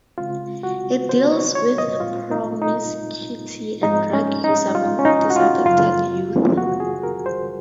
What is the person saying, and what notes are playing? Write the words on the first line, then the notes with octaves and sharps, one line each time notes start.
It deals with promiscuity and drug use among disaffected youth.
C#3 G#3 C4 F4
F#4
C5
C#5
C#5
D#5
A#2 G#3 C4 F4
D#4
D#4
G#2 F3 G#3 C4 D#4
C#4
D#4
F4
C#4
D#4
F#4
F4
F#2 C#3 F#3 C4 F4
F#4
G#4
A#4
C5